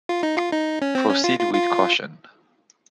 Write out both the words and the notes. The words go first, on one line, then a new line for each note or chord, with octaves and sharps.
Proceed with caution.
F4
D#4
F4
D#4
C#4
C4
C#4
F4
F4
F4